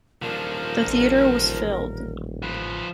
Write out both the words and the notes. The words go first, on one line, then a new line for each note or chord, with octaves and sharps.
The theater was filled.
D#1 F3 D4 A#4
A1
F3 B4